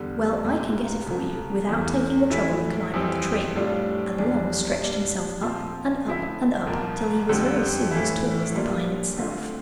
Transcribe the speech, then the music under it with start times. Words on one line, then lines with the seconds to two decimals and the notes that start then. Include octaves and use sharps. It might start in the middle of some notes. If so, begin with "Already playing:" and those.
Well, I can get it for you without taking the trouble of climbing the tree,' and Long stretched himself up and up and up, till he was very soon as tall as the pine itself.
Already playing: E2 D3 G3
0.44 C2 A#2 G3 C4
1.06 C2 C3 F3 A3
1.68 E2 E3 A3
2.31 A2 E3 A3 E4
2.94 F2 E3 G3 C4
3.55 A2 G3 D4 F4
4.18 E2 E3 G3 D4
4.80 A#2 G3 D4
5.42 A#2 F3 C4 F4
6.05 D3 F3 C4 E4
6.66 C2 A#2 F3 A#3 F4
7.29 F2 D3 G3 C4
7.91 A2 E3 A3 E4
8.54 A#2 G3 A#3 D4 F4
9.16 D2 D3 A3 C4 F4